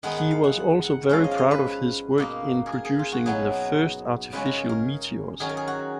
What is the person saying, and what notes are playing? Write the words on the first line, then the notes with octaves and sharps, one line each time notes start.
He was also very proud of his work in producing the first artificial meteors.
D#3 G#3 B3 D#4 F#5
F#5
F5
F#5
F#5
F#5
F3 G#3 C#4 F5
D#5
F5
D#5
B4
B2 A#3 D#4
G#4
A#4
G#4
F4
F#4
B2 F#3 B3 D#4 G#4
C#3 G#3 C#4 B4
A#4
G#4
A#4
D#3 F#3 C#4 G#4
A#4
G#4
F#4